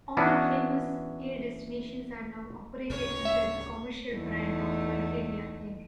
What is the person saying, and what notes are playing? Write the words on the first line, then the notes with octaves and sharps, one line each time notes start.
All Hemus Air destinations are now operated under the commercial brand of Bulgaria Air.
E3 B3 C#4 D4 F#4
D2 A2 C#3 C#5
E5
E2 A3 D#4